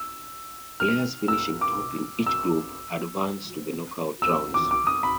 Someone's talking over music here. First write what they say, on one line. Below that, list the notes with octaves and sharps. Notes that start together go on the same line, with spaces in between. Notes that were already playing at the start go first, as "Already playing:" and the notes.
Players finishing top in each group advanced to the knockout rounds.
Already playing: E6
F6
E6
D6
E6
E6
D6
D6
D#6
B5